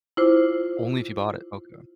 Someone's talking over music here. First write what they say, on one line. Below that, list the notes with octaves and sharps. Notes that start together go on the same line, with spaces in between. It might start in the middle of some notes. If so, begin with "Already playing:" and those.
Only if you bought it. Okay.
E4 F4 C5 D6